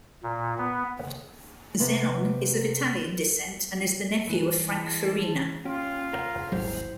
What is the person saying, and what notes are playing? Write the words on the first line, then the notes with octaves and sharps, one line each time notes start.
Zenon is of Italian descent and is the nephew of Frank Farina.
A#2
B3
C3 B3
G2 E3
E3 G#3 A5
C#4 F4 G4
A#4
D#1 G#1 F#3 E4 G4 C5